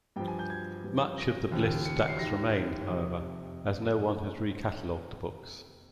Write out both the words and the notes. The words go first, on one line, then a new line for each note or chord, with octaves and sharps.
Much of the Bliss stacks remain, however, as no-one has re-cataloged the books.
G2 F3 G5
G#5
G6
G#6
G2 F3
A#6
D#2 C#3 F3
C#7
C#7
C7
D#2 D#3 A#6
F2 C3 F3 D#6